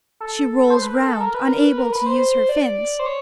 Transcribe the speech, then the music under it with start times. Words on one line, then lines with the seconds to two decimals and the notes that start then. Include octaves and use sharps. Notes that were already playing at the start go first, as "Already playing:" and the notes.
She rolls round, unable to use her fins.
0.20 A4
0.70 C5
0.82 B4
0.94 A#4
1.06 A4
1.20 A#4
1.34 B4
1.47 A#4
1.64 B4
1.78 A#4
1.92 B4
2.06 C5
2.20 C5
2.49 D5
2.99 C5
3.06 C#5